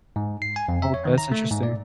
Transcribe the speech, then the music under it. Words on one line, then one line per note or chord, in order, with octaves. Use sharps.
Okay, that's interesting.
G#2
C7
G#5
F2
E5
C#5
D#3
A#5
A3
G#2
D5